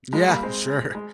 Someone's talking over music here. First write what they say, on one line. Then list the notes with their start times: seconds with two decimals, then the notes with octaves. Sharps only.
Yeah, sure.
0.13 F3 G#3
0.27 G3 A#3
0.43 G#3 C4
0.95 G#3